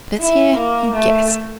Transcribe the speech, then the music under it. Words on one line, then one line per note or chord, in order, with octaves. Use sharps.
Let's hear you guess.
E4
A#3
A3